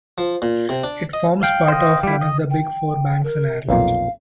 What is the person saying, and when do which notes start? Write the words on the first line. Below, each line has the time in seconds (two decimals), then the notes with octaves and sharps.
It forms part of one of the Big Four banks in Ireland.
0.18 F3
0.42 A#2
0.69 C3
0.84 D4
1.13 D#5
1.43 F5 G5
1.68 C5 D#5
2.03 G3 E4
2.21 D#5
2.50 G5
3.24 A#4
3.69 B1 F2 A#2 F5